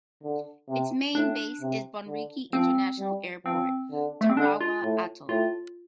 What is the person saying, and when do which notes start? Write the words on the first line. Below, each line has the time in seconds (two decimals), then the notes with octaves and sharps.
Its main base is Bonriki International Airport, Tarawa Atoll.
0.23 D3
0.69 C3
1.15 A2 D4
1.61 C3
2.08 D3
2.53 F3 C4
2.99 G3
3.45 F3 C4
3.91 D3
4.21 A3
4.29 C4
4.37 D3 D4
4.61 F4
4.83 A2
5.29 A2 F4